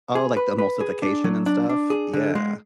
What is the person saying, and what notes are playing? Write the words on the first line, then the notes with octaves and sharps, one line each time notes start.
Oh, like the emulsification and stuff, yeah.
G#4
B4
B4
G#4
D4
F#3
D4
D4
G#4
D3
G#3